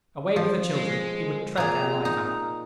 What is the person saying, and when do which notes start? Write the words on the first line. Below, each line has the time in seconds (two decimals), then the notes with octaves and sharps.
Away with the children: he would tread their life out!
0.36 F3
0.75 G#3
1.57 A#2 G#4 A#5
2.05 D#4